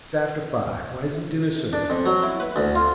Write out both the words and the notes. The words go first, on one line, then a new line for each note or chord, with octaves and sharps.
'It's after five; why isn't dinner served?'
D4
F2
F#3
E4
B4
D2
F4